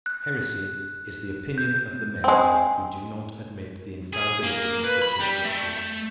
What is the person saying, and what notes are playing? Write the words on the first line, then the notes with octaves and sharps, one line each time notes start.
Heresy is the opinion of the men who do not admit the infallibility of the Church's truth.
F#6
G6
G#3 C4
G#4
A#3
B4
B5
G3
A3